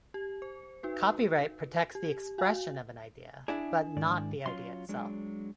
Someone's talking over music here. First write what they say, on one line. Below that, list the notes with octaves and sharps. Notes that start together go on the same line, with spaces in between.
Copyright protects the expression of an idea but not the idea itself.
G4
C5
D#4 F#4 B4
G4
F#4 F5 G#5
D4 E4 G#4 D5 E5
G#2 D#3 D5
F#3 C#4 F4 C6
F#3 G#3 D4